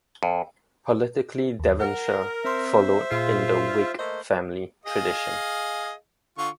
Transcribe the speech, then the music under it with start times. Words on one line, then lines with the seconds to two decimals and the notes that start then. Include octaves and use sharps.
Politically Devonshire followed in the Whig family tradition.
0.23 F2
1.59 D#2
1.80 A#4 F#5
2.45 C4 C5 E5 C6
3.11 A#2 F4 G#4 C7
3.99 A3 A#3 C5 D#5
4.86 G#4 D#5 F5
6.38 D3 F4 C#6